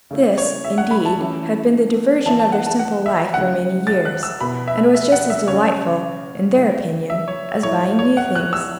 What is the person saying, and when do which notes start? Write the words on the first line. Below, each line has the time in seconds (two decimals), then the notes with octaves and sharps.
This, indeed, had been the diversion of their simple life for many years, and was just as delightful, in their opinion, as buying new things.
0.11 C#3 A3 C#4 E4
0.38 C#5
0.64 E5
0.78 F#5
0.91 B5
1.05 A5
1.18 E3 A3 C#4 E4
2.26 E3 B3 E4 A5
2.39 A5
2.52 F#5
2.66 A5
2.79 F#5
3.06 E5
3.33 C#3 A3 E4 F#5
3.87 A6
4.05 F#6
4.23 E6
4.41 B2 B3 E4 B5
4.68 E5
4.94 E5
5.12 F#5
5.30 E5
5.48 C#3 F#3 C#4 C#5
6.55 C#3 A3 E4
7.10 E5
7.28 C#5
7.63 A2 A3 E4 C#5
7.99 C#5
8.17 F#5
8.35 F#6
8.53 E6